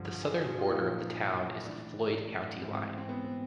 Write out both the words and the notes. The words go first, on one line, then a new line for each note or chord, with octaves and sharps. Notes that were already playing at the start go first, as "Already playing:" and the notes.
The southern border of the town is the Floyd County line.
Already playing: G2 D3 F3
G#4
F#4
F#4
F4
A#2 F3 D#4
A2 E3 D4
G#2 E3 C4
C4
B3
C4